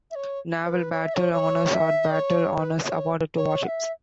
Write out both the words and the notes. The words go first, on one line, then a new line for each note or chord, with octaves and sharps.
Naval battle honours are battle honours awarded to warships.
E5
C#5
C#5
B4
C#5
E5
C#5
C#5
E5
C#5
C#5
B4
E5
C#5
C#5
F#5
E5